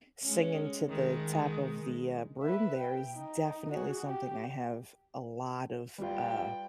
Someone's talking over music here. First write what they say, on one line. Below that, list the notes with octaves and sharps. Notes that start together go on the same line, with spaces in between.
singing to the top of the, uh, broom there is definitely something I have a lot of, uh,
G#3 C#4
D#3 G#3
B4 E5
G5
D#4
F#4 G#4
G4
G3 F4 B4 G5